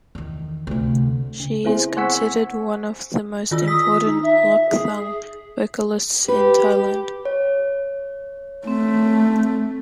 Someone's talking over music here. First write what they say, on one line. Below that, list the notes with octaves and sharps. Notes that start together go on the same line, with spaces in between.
She is considered one of the most important Luk Thung vocalists in Thailand.
E2 D#3
D2 C3
C#3
B3 C4 E4 G#4 C5
C5 F#5 G#5 C#6 E6 B6
D#3 F4 E6
D#6 B6
D#4
E5
G#4
G4 B4
C#5
A3 C4